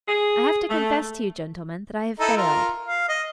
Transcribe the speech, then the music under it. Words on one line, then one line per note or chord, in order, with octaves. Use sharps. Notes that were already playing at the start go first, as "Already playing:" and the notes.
I have to confess to you, gentlemen, that I have failed.'
G#4
A3
D#4 E4 A4
F4 A#4
F5
D#5